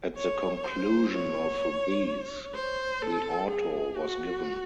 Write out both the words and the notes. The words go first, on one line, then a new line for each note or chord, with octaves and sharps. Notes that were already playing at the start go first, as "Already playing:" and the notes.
At the conclusion of these, the auto was given.
C#5
C5
C#5
C5
A4
G#4
F#4